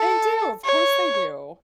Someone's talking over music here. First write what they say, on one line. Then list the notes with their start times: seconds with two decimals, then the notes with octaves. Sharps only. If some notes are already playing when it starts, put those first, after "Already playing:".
They do, of course, they do.
Already playing: A4
0.65 C#5